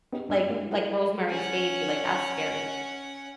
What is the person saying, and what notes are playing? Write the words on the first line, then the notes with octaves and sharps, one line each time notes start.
like like, Rosemary's Baby, like, that's scary,
B3 C#4 D#4 G4
G2 D4 E5 E6 F6
G#3 A#3 E4 F#4
E4 G#4 A#4 E5 F#5 C6
C#4 F#5